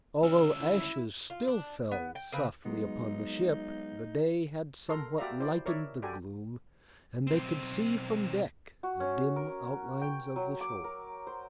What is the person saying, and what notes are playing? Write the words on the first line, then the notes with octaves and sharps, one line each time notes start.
Although ashes still fell softly upon the ship the day had somewhat lightened the gloom and they could see from deck the dim outlines of the shore.
D2 C#4 E6
E4
F4
D4
B3
G5
C#3 C4 B4
F#3 G#3 B3 D#4
A4 A#4 A#5 C6
F#4 G4 D5 E5 F5 A#5
E4 C5 D5
A#4 C#5 D5 E5
F#4 G4 A4 D5 G#5
B1 C4
F#4
C#4
A#4
G5
F#3
D6
A#4
C5